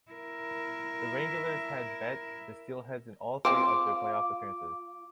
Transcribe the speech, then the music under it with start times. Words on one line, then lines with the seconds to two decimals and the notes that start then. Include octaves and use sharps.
The Wranglers had met the Steelheads in all three of their playoff appearances.
0.11 E4 A#4
3.45 G#3 C4 F4 C5 D6